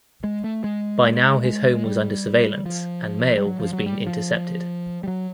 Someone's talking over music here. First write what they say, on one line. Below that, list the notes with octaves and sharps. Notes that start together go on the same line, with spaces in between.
By now his home was under surveillance and mail was being intercepted.
G#3
A3
G#3
G#3
G#3
G3
F3
G3
F#3
F3
F#3
G3
F3
G3
F#3